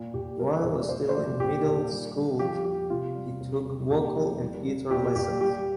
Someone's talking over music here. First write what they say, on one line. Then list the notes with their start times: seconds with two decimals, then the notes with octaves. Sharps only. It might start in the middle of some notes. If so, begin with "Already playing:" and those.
While still in middle school, he took vocal and guitar lessons.
Already playing: A#2
0.14 A#2 G4
0.39 G3 A#4
0.64 A#2 C5
0.81 D5
0.89 A#2 C5
1.09 C5
1.15 F3 D5
1.40 A#2 G4
1.65 A#2
1.90 G3
2.15 G3
2.39 F3 G4
2.65 F3 G4
2.90 C3 F4
3.15 G3
3.41 C3
3.65 C3
3.90 A#2 G4
4.15 F3
4.41 G3
4.65 G3
4.91 A#2 G4
5.16 A#2 G4
5.41 G3 G4